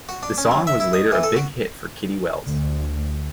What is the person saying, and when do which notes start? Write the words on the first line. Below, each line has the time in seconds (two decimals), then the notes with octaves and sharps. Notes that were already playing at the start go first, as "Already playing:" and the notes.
The song was later a big hit for Kitty Wells.
0.09 F#4
0.23 D4
0.38 C#4
0.51 F#3
0.67 E5
0.80 E4
0.93 D#5
1.12 E3
1.23 A4
1.36 F#4
2.45 D2